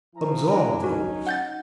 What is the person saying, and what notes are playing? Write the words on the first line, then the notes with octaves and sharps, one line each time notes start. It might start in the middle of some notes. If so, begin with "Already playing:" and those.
Absorb those.
F3 E4 G#5 A#5
D4
F#3 C#4 D#4 F#4
F#5 G6 A6